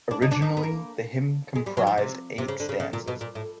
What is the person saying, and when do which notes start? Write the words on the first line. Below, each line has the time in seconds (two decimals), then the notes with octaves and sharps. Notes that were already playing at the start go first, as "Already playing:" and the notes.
Originally the hymn comprised eight stanzas.
0.11 D4
0.22 D#4
0.31 D4
0.42 D#4
0.57 B3
0.63 A#3
1.55 G#3
1.66 G3
1.77 F#3
1.87 F3
1.98 C3
2.38 C3
2.48 C#3
2.60 D3
2.69 C#3
2.80 C#3
2.93 A#2
3.08 B2
3.21 A#2
3.35 A2